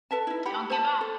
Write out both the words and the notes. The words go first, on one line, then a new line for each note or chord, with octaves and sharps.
Don't give up!.
A4 B4 E5 A5
D#4 E4
G4 F#5 B5
C5 A5
A4